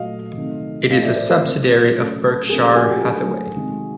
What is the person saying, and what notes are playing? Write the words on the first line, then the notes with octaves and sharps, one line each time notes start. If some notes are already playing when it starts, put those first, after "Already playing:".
It is a subsidiary of Berkshire Hathaway.
Already playing: A#2 F#3 A3 D#5 F5
C3 D#3 F#3 A3
A2 F3 A3 D#5 F5
D5 E5
C5 D5
A#4 C5
C3 E3 G#3
C#3 F#3 A3
C#3 F3 A3 G#4 A#4
G4 A4
F#4 G#4
F4 G4
D3 F#3 A3 F#4 G#4
C3 D#3 G#3